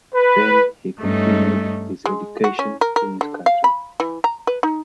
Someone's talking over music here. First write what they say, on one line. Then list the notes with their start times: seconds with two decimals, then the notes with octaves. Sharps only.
Then he continued his education in his country.
0.15 B4
1.01 G2 A3 C#4 D#4
2.06 G#3
2.44 F#4
2.59 C#4
2.81 A#4
2.96 A#4
3.21 D3
3.46 F5
3.64 B5
4.00 E3
4.24 A#5
4.47 B4
4.63 D#4